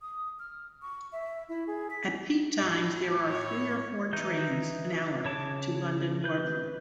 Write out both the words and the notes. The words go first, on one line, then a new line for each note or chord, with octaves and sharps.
At peak times there are three or four trains an hour to London Waterloo.
D#6
F6
C#6
E5
E4
G#4
B6
A2
C#5
E3 D#4 G6
C#3 C#5 A5 D6
B4 G6